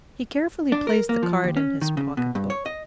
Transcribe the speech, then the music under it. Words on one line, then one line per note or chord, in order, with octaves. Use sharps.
He carefully placed the card in his pocket-book.
D4
A#4
A#3
F3
D#2
C#4
D#3
C#3
B2
G2
C#5
D#5